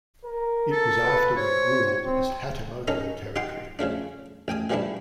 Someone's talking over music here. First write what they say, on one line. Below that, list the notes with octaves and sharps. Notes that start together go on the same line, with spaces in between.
It was afterward ruled as "hatamoto" territory.
A#4
A4
B4
C5 C#5
C4
D#3 C#4 D#4 A4 A#5
D#4 G4 F#5 G5 C6
C#3 F3 A3 D4
A1 G5 G#5 D#6
E3 F3 G3 A3 D4 E4